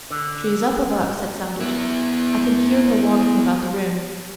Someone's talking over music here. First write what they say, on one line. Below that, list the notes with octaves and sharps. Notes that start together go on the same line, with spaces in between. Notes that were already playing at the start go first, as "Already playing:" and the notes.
"She is up above," said Saunders; "I can hear her walking about the room."
D3
B3 E4